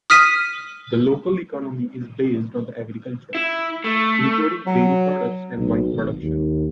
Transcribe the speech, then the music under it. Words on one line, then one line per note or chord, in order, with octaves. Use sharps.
The local economy is based on agriculture, including dairy products and wine production.
D#6 F6 B6 D#7
E4
A3
F#3
B1
G#1
D#2